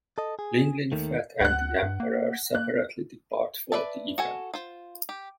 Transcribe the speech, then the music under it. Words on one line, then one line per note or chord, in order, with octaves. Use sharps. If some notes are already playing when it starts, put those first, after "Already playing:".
Ling Ling-Fat and the Emperor separately depart for the event.
A4 D#5
G#4
D#2 D#3 A3
D2 F#5 F#6
G2
A#3
A#3 F#6
B4 C5 D5 E5 A5
F#4 A4 G#5
F4 C5
G4